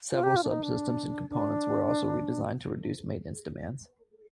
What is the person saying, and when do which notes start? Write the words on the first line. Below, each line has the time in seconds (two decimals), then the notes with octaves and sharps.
Several subsystems and components were also redesigned to reduce maintenance demands.
0.12 F4
0.23 G4
0.36 F4
0.43 D4
0.49 D#4
0.63 D4
1.30 D4